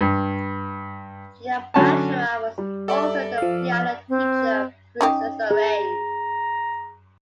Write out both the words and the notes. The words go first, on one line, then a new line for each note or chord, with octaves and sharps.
Gina Bachauer was also the piano teacher of Princess Irene.
G2
D3 F#3 C#4 A5
G3
A4 D5 E5
F3 F5
F6
C4
C#4 D#4 G4
G#4 A#5